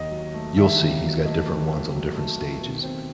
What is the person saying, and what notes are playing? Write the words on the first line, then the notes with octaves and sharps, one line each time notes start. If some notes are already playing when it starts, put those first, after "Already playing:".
You'll see, he's got different ones on different stages.
Already playing: D#2 D#5
F#3
A3
D#3 E5
D#2
F#3
A3 D#5
D#3
D#2
F#3
A3
D#3
B2
C4